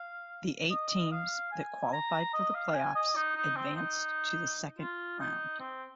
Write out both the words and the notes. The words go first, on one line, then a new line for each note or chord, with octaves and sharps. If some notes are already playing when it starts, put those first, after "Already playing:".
The eight teams that qualified for the playoffs advanced to the second round.
Already playing: F5
D#5
F5
G#5
A#5
D#5
F5
G#5
D#5
D#4
D#4
C4
D#4
F4
D#4
C4